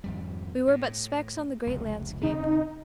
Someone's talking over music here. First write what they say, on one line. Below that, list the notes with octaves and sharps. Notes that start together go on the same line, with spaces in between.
We were but specks on the great landscape.
G#1 F2 G3
A2
F1 C#2
D#1 C#3 C4 D#4